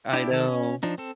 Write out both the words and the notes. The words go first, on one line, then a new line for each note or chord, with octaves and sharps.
I know.
D4 E4 G4
D#3 A4
C#4
F3 D4 D#4
C4 A4